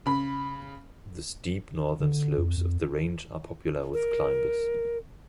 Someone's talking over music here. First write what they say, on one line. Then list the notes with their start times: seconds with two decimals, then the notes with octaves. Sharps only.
The steep northern slopes of the range are popular with climbers.
0.06 C#3 B5
2.00 D3
2.38 F2
2.57 F2
3.94 A#4